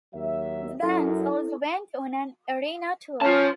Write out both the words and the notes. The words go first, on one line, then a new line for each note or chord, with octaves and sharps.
The bands also went on an arena tour.
D#2 F#3 E5
F#2 E4 A4
C#4 F4 A5